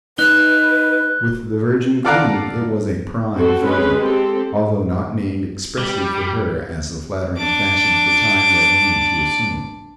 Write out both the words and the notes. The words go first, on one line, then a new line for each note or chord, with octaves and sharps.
With the Virgin Queen it was a prime favorite, although not named expressly for her as the flattering fashion of the time led many to assume.
D#4 B4 F#6 G7
F4 A4 D5 F5 F#5 A#5
C4 F#4 A4
G#3 C4 C#4 B4
C4 G4 A4
G3
D4 D6